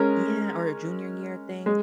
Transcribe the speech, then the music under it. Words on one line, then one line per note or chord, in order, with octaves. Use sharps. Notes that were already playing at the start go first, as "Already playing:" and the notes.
yeah, or a junior year thing.
Already playing: G#3 C#4 A#4
G#3